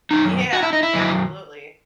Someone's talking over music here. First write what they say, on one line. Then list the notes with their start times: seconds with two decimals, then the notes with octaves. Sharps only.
Yeah, absolutely.
0.11 F#2 D#3 F#3 D#4
0.53 F#4
0.63 E4
0.73 D#4
0.83 E4
0.94 F#2 D#3 F#3